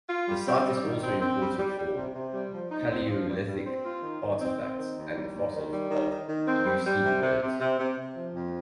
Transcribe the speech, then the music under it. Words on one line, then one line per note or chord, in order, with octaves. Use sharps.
The site is also important for Palaeolithic artefacts and the fossils of Eocene birds.
F4
G3
C4
G3
D#3
C4
C4
G3
G3
G3
C3
C3
G3
F3
D#4
C4
F3
G2
G2
C4
F4
D#3
D#3
C4
C4
D#3
D#2
G3
D#2
D#3
G3
D#3
D#3
D#3
C4
G3
G3
C3
C3
C3
C3
C3
C3
F3
F2